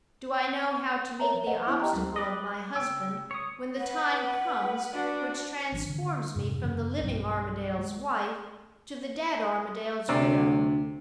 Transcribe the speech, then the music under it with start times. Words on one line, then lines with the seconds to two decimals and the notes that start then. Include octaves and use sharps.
Do I know how to meet the obstacle of my husband, when the time comes which transforms me from the living Armadale's wife to the dead Armadale's widow?
1.19 A#4 B4 C#5 E5 A5 A#5
1.34 F3
1.47 A4 B4 C5 D#5 E5 F#5
1.66 B3 E4 C5 E5
1.80 G4 D#5 G5 A5 A#5 F#6
1.92 D2 F#3 G#3 C#4
2.16 B4 D5 D#5
2.76 C#3 G5 E6
3.31 C#5 D#6
3.78 B4 F#5
4.92 D4 F#4
5.72 G#1 F3 D4
5.89 D3
6.35 F2 G#2 C3
6.63 F#2 C#3 F3
7.00 B1 G2 F#3
7.79 G#3
10.09 D2 C3 D5